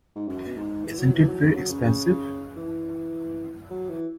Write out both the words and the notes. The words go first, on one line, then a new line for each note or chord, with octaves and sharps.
Isn’t it very expressive?
G#2
F#2
B2
G#2
E3
F#3
E3
F#3
C#3
F#3
C#3
C#3
E3
F#3
E3